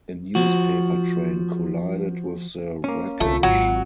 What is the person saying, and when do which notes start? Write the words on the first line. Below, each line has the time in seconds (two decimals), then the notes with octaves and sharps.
A newspaper train collided with the wreckage.
0.35 F3 F#4
2.84 A#3 C#4
3.20 C2 D3 A3 F4
3.43 G#1 F#3 F#4